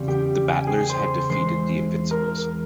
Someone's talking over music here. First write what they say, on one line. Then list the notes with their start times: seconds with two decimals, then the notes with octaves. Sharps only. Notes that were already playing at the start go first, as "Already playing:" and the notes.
The 'battlers' had defeated the 'invincibles'.
Already playing: E2 C#3 G3 C4
0.08 G4 G5
0.49 G#5
0.58 G5
0.67 G#4 G#5
0.90 C5 C6
1.30 E2 E3 G#3 C4 C5 C6
2.11 A#4 A#5